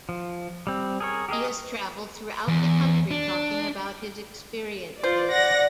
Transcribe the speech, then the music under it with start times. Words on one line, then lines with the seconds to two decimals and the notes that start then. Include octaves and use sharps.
He has traveled throughout the country talking about his experiences.
0.09 F3
0.67 G3 C4
1.00 G#4 A#4 C#5
1.29 G4 G#4 A#4 D#5
2.48 E2
3.11 D4
5.03 F4 C5 D5
5.32 F#5 A#6